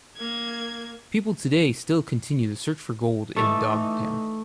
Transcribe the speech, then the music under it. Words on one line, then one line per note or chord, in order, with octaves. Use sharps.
People today still continue to search for gold in Dog Town.
A#3 G#6
E3 A3 D#4